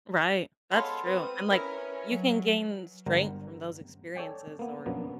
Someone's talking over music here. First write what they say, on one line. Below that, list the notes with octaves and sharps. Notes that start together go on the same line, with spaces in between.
Right. That's true, and, like, you can gain strength from those experiences or,
G#3 B3 F4 A4 C#5
C4 B4 D#6
C#4 E4 A#4
F#3
G1 G3 A#4 C5 F#5 A#5
A4 C#5 D5 G5 G#5
A#3 B3
F#2 B2 F3 A#3 B3 D4